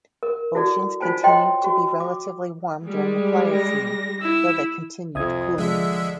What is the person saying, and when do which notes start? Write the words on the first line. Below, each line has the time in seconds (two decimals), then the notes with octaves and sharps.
Oceans continued to be relatively warm during the Pliocene, though they continued cooling.
0.23 A#4
0.55 E4 F#4 A4 D5
1.00 D#4 F4 C5 G#5 A5
1.23 C#5 D#5 G5 A#5 C6
1.62 F#4 C#6
2.00 D6
2.82 G3 G#3
3.55 A#6
4.21 E4 E6
5.15 C2 F2 E5 D#6 G#6
5.58 D3 F3 G#3 E5